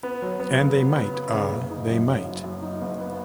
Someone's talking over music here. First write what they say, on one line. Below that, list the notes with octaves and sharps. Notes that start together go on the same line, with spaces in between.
And they might, ah, they might!
B3
F#3
B3
C#3
B3
B3
B3
C#3
F#1
D#4
F#2
F#3
F#2
F#2
D#4
F#1
B3